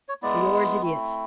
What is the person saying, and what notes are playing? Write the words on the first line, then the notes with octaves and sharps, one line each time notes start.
For yours it is.
C#5
G#3 B3 E4 D5
A3 C4 E4